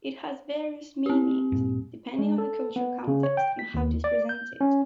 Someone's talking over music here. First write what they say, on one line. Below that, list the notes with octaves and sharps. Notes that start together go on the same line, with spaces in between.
It has various meanings, depending on the cultural context and how it is presented.
C4 G4
G2 A#2
G#3
A4
B3
C#3
C#5
G5
B6
D#2
D5
G6
C#4